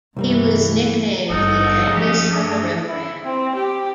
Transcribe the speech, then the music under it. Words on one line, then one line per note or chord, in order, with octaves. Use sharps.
He was nicknamed "The Angus Rembrandt".
C2 G2 E3 G3 A#3
G#1 G2 D#4 A4 D#5 F#5
F3 A3 C#4 G4
G2 F#3 A3 D4 G#4
E4
C4
G4